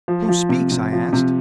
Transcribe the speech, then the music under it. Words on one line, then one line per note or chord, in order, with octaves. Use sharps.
"Who speaks?" I asked.
F3
F3
C3
C3
F3
C3